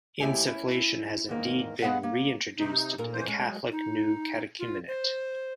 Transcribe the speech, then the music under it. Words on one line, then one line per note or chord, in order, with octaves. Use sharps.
Insufflation has indeed been re-introduced into the Catholic new catechumenate.
D#2 A3 E4 G4 G#5
C#4 E4
E2 G#2 D#3 A#3
G#3 B3 G#4 F5 F#5
A#3
C3 D#4
A#2 A#4
F2 E3 C5
G#3 C#4
F#3
D#4
F4
C5